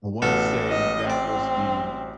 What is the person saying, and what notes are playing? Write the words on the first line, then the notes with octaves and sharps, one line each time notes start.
I wanna say that was the,
A1 B3 F#4 A4 F6
D#5
C4 D5